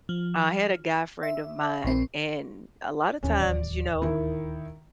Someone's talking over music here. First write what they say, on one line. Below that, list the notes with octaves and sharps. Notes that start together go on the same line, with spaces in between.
I had a guy friend of mine, and a lotta times, you know,
F3
E5
A#1 C4
D1 D#2 E3 C#4
D5
D#3 E4